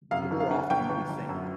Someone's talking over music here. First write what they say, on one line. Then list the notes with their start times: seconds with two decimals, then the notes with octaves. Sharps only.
more often than you would think.
0.11 F#2 F5
0.31 G1
0.40 F5
0.51 D3 F#5
0.70 G1 G5
0.90 G1
1.09 G1
1.29 F#2